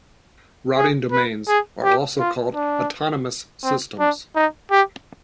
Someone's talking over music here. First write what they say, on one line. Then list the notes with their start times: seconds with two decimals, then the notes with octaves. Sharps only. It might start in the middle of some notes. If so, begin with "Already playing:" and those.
Routing domains are also called autonomous systems.
0.76 G#4
1.12 B4
1.48 G#4
1.84 G4
2.20 F4
2.55 D4
3.64 C4
3.99 D4
4.35 D#4
4.71 G4